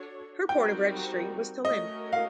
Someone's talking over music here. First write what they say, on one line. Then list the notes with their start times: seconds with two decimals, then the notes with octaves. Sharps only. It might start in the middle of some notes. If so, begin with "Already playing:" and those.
Her port of registry was Tallinn.
Already playing: D4 F#4 A4 C#5
0.49 G3 C4 D#4 F#4 A#4 G5
1.64 A3 C#4 F#4 A#4 D#5
2.13 F5